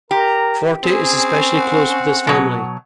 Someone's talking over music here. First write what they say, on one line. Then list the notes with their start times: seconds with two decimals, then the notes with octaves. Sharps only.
Forte is especially close with his family.
0.11 G4 A#4 A#5
0.83 C4 C#4 G#4
1.57 F#5
2.27 B2 F#3